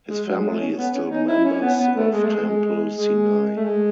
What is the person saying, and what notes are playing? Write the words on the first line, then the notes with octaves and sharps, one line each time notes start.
His family is still members of Temple Sinai.
G#3
F#3
G#3
A3
C#4
B3
C#4
D#4
E4
C#4
B3
B3
A3
G#3
A3
G#3
G#3
G#3
A3
G#3